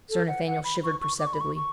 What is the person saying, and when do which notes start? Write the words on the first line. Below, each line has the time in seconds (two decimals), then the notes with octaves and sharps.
Sir Nathaniel shivered perceptibly.
0.10 A4
0.28 F#5
0.47 F#5
0.64 B5
0.84 C#6
1.01 C#6
1.19 D6
1.27 C#6
1.33 B5
1.41 C#6
1.56 C#6